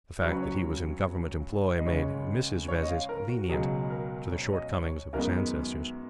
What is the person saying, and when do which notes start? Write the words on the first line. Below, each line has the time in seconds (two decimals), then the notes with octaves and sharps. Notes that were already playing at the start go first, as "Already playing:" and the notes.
The fact that he was in Government employ made Mrs. Vezzis lenient to the shortcomings of his ancestors.
0.22 C#2 C#3 F#3 C#4 C#5
0.32 B4
0.42 C#5
1.77 D#5
1.86 C#2 C#3 G#3 C#5
2.68 C#5
2.82 D#5
2.88 F5
3.09 A#4
3.29 F#4
3.49 C#2 B2 F#3 G#4
3.90 A#4
4.32 C#5
4.53 D#5
4.73 C#5
5.13 F#2 D#3 G#3 B3 A#4